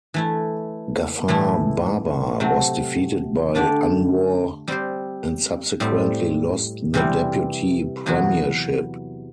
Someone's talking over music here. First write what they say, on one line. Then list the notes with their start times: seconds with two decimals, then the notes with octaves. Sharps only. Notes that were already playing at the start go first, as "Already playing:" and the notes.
Ghafar Baba was defeated by Anwar and subsequently lost the deputy premiership.
0.14 E3 A3 E4
1.28 A2 E3 A3 E4
2.40 C3 F#3 A3
3.55 D3 A3 D4 G4 D5
4.68 G3 C4 G4 C5
5.80 A2 G3 C4
6.94 C3 E3 G3 C4
8.06 E2 C3 F#3 B3 F#4